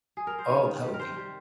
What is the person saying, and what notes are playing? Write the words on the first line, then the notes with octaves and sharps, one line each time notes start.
Oh, that would be
G#4
A#4
C5
D#3 C#5
D#3
G3
A#4
C3 C5
G3